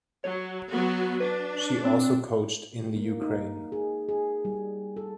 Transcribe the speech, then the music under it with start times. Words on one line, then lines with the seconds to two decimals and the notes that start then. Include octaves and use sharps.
She also coached in the Ukraine.
0.24 F#3 C#5
0.69 F#3 B3 F#4
1.20 D4 B4
1.85 C4
2.96 A#3
3.22 D#4
3.72 G#4
4.09 G#4
4.45 G3
4.97 A4